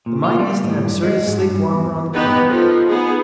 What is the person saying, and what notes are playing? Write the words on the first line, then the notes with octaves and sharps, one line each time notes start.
The mightiest and absurdest sleep-walker on the planet!
A#2
F4
G3
A2
G2
G#3
G#2
G2
E2
B3 D#4 G4 B4
F3 A4
B3 D#4 G#4